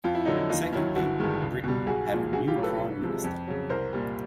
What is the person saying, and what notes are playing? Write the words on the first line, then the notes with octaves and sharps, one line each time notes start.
Secondly, Britain had a new Prime Minister.
F2 F4
E4
D3 F#3 D#4
E4
D#2 D#4 F4
D#3 F#3 E4
G1 E4 F#4
G2 D#3 G#3
C#2
B2 G3
B1 F#4 G#4
A#2 F3 G#3
B1 F#4 G#4
F4 G4
A2 F#3
A4 B4
C2
C3 F3 G#3
F2
C#3 F#3
C2 A#4 C5
A#2 G3